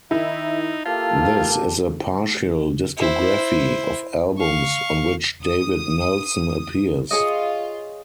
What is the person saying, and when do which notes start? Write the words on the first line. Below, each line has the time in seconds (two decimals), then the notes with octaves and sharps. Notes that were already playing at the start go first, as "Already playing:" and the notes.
This is a partial discography of albums on which David Nelson appears.
0.11 D#3 D#4 E4 E5
0.85 A#3 F4 G4 A4 A5
2.98 E4 C5
4.39 F5 C#6
5.43 D#6
7.11 F4 G#4 C#5 D#5